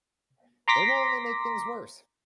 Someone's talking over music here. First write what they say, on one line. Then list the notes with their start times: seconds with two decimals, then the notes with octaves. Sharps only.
They will only make things worse.
0.68 A#5 C6 D6 A#6 B6